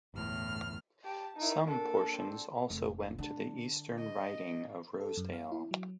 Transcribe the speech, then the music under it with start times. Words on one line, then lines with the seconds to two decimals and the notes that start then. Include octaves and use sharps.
Some portions also went to the eastern riding of Rosedale.
0.14 G1 E2 A2 F6
1.04 G4 A5
1.37 D#4 E4 A#4
1.67 A#2 D4 F#4 A4
2.13 G3 C4
2.70 F1
3.18 D3
3.97 D#5
5.00 A4
5.17 F#2
5.33 F5
5.52 E4
5.71 F#3